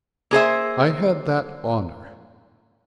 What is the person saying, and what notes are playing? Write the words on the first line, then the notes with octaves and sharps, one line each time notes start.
I had that honour.
A#3 G#4 C5 E5